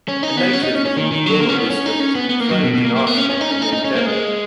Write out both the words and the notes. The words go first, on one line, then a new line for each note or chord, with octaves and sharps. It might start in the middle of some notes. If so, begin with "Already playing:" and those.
A native of Mukono District he trained an architect in Entebbe.
C#4
D#4
B3
C#4
D#4
C#4
C#4
D#3
D#3
F#3
A#3
C#4
B3
C#4
D#4
C#4
B3
B3
A#3
F#3
B2
B2
A#3
A#3
B3
C#4
C#4
D#4
C#4
D#4
D#4
C#4
A#3
G#3